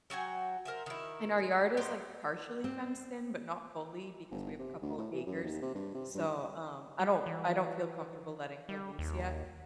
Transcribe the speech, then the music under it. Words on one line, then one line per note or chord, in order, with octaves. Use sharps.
and our yard is, like, partially fenced in, but not fully because we have a couple acres, so, um, I don't I don't feel comfortable letting her loose yet.
F#3 F#4 G5 G#5
A#4 C5 E5
D#3 E4
A2 D#4 G4 C5
C4
G1
C3
D2
A2
E3
F#2
D#2
C3
G2
C3
G2
G3
E3
G3
D#2